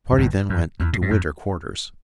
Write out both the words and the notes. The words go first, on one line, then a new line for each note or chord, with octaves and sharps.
The party then went into Winter Quarters.
F#2
G1 G2
F#2
E2
A2
G2
F#2